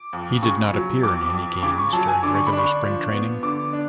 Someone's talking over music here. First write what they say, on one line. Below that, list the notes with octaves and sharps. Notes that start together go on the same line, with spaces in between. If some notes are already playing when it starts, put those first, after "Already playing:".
He did not appear in any games during regular Spring training.
Already playing: D6
F2
C#3 C#6
F#3
F2 D6
F2
C#3 D6
C#6
F#3 A5
G#5
D3 D6
C#6
B5
D4
C#6
F3
B3
D3 D6
D4